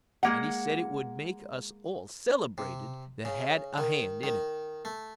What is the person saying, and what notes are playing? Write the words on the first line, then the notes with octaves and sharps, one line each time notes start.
And he said it would make us all celebrated that had a hand in it.
G#3 A#3 F#5
C3
C#3
D#3
D#3
A3